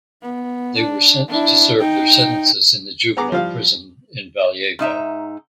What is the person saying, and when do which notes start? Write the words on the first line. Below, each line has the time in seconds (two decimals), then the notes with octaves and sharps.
They were sent to serve their sentences in the Juvenile Prison in Valjevo.
0.22 B3
0.78 D4
1.28 D4 E4
1.80 D#4 G5
3.17 B3 G#4 A#5 D6
3.32 F3 G3 F4 F5
4.79 G#2 D#4 E5 A#5